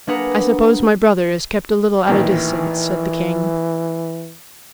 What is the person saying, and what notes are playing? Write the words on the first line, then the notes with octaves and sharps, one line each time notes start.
"I suppose my brother is kept a little at a distance," said the king.
A#3 D4 G#4 B4 F#5 A#5
A1 A#2 D#3 E3